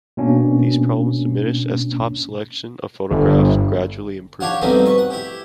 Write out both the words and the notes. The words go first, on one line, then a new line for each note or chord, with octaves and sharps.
These problems diminished as Topps' selection of photographs gradually improved.
B2 A#3 C#4 D4
G1
D4 G4 C#5 F5 F#5
F#2 G3 A3 B3 C4 D#4
B4 C#6
F#5
E4 G4